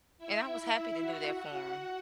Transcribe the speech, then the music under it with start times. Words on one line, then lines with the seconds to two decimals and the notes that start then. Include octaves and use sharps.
And I was happy to do that for him.
0.18 E4 E5
1.01 F#4 F#5
1.41 F#4 F#5